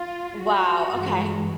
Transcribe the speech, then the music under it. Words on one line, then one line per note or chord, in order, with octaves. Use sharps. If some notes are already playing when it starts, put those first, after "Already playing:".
Wow, okay.
Already playing: F4
F#4
G2 E3 G#3